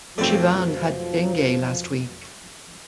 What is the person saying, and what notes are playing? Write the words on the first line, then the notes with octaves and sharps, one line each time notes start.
Shivam had dengue last week.
B1 F2 F3 A3 C4 D5